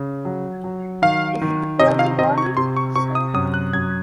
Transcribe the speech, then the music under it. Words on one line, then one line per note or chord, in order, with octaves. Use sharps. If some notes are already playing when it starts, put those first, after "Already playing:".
Is it the bill you're wanting, sir?
Already playing: C#3
F#3
F#3
D#3 F5
D#3
C3 D#5
F5
C3 D#5
C#6
C3 C6
C#6
C3 C#6
D#6
F#2 D#6
F#6
F#2 G#6